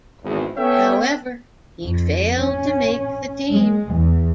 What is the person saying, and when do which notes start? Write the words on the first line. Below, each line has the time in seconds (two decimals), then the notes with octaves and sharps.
However, he failed to make the team.
0.24 G#1 E2
0.57 B3 C#4 A4 C#5 E5 G5
1.82 F2
2.38 C#4
3.51 G#3
3.91 E2